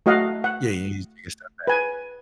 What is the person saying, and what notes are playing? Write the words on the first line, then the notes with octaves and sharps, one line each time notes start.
Yeah. You used to go step back.
A3 F#4 D#5 F5 F#5
F#5
B4 G#5